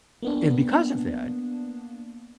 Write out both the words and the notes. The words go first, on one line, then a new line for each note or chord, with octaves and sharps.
and, because of that,
A#3 B3 D4